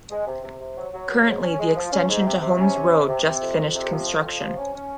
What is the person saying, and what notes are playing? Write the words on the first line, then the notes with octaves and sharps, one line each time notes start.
Currently the extension to Holmes Road just finished construction.
G#3
C3
C3
C3
F#3
F#3
F#3
G#2
C#4
G#3
F3
C#4
G#2
C3
C3
C#4
C3
C3
C3
C3
F2
F2
C3
F3
F2
F3
C3
C#4
C#4